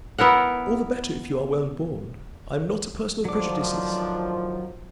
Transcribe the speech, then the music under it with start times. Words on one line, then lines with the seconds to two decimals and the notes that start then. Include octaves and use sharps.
All the better if you are well born--I am not a person of prejudices.
0.18 B3 E4 A#4 F#5
3.25 A2 D#3 F3 F#3 D4 D6